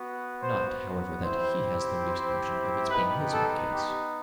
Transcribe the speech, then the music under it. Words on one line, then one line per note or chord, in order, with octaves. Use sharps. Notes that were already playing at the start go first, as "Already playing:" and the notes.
Not, however, that he has the least notion of its being his own case.
Already playing: B3 F#4
C5
C4 E4 G4 C5
C5
B3 D#4 G4 B4
A4
G4